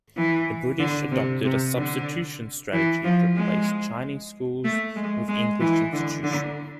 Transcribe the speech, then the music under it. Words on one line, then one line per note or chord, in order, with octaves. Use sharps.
The British adopted a substitution strategy to replace Chinese schools with English institution.
E3
D3
C3
C3
D3
E3
F3
G#3
A3
G#3
G#3
E3
D3
D3